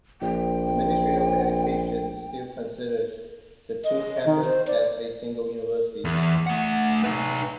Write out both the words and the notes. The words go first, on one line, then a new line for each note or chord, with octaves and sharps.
The Ministry of Education still considers the two campuses as a single university.
A#1 G5
D#5
D#3
C5
D5
E2
A3 F#5
D#4 B4